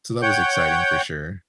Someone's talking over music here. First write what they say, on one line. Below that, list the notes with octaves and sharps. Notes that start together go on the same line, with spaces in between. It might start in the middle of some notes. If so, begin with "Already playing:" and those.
So that was exciting, for sure.
C#5 F#5 G5 G6